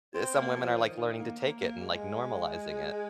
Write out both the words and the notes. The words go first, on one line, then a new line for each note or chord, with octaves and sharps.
some women are, like, learning to take it and, like, normalizing it.
C4
A#3
F3
D#3
D#3
A#3
A#3
A#3
G#3